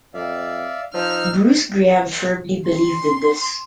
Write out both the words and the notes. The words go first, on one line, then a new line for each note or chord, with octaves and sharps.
Bruce Graham firmly believed in this.
F2 D5 E5 F5
F3 D#4 E6 F6 G6
C6